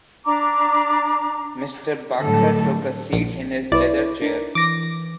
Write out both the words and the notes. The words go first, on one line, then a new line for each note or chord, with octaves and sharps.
Mr. Bäcker took a seat in his leather chair.
D4 A#5 D6
A2 D3 F#3 G3 A4
A#1
C2 E4 B4 C#5 D5
D4 D#4 A#4
E3 D6 A#6